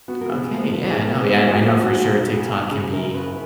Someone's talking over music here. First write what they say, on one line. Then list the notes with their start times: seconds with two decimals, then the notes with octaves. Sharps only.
Okay, yeah, I know, yeah, and I know, for sure, TikTok can be
0.08 B3 F#4
0.21 A#4
0.29 B3 G#4
0.52 F3 A#4
0.73 B1 B4
0.90 G#4
0.95 B3 A#4
1.08 A#4
1.17 B3 B4
1.40 A#2 F#4
1.52 F#4
1.61 F3 F4
1.83 B1 F#4
2.05 B1
2.27 B3
2.48 B1
2.71 C#3 G#4
2.93 F#2 A#4
3.14 F#1 B4